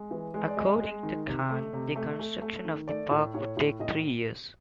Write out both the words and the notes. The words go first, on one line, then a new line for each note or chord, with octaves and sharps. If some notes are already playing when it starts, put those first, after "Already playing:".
According to Khan, the construction of the Park would take three years.
Already playing: G#3
E3
G#3
D5
G#3 D#5
G#3
D#3
C3
A3
C3
A3
A3
A3
D#3
A3 D5
A2
A2 C#5
A2
A2 D#5